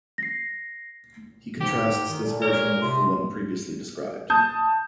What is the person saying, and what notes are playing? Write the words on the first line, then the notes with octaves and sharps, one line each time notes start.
He contrasts this version with the one previously described.
A#6 C7
G#2 G4
D#3
A#2 A4
A#4 C#5
C3 C6
A5 D#6 G6